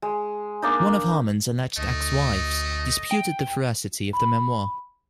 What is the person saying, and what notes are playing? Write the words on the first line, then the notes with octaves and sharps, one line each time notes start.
One of Harmon's alleged ex-wives disputed the veracity of the memoir.
G#3
A#3 D4 D#4
D2 A3 D#5
G5
B5